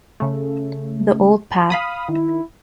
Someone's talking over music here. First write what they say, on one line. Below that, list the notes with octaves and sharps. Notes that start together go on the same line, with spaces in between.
The old path.
C#3 A3
F5 B5 D#6
D#3 E4